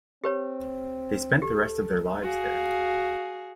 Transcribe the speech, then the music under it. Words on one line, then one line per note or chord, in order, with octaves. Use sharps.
They spent the rest of their lives there.
C4 G4 B4 C#5
G4 A4
F#4 G#4 F5